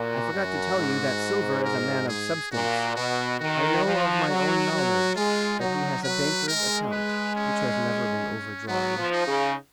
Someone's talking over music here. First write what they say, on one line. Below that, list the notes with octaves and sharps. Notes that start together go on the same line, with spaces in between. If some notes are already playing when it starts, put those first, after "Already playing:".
I forgot to tell you that Silver is a man of substance; I know of my own knowledge that he has a banker's account, which has never been overdrawn.
Already playing: A#2 F#4
F#2
G#2
A#4
G#4
A#2 F#4
B2 F#4
D#3 F#4
F3
F#3
F#3
G#3 F4
F#3 D#4
F#3 B4
G#3 A#4
B4
C#4
F#3 B3
F3
D#4
C#3